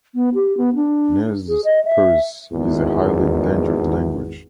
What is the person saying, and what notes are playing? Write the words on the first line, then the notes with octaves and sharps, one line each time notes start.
Nez Perce is a highly endangered language.
B3
G4
B3
D4
G#4
D#5
E5
G#1 E2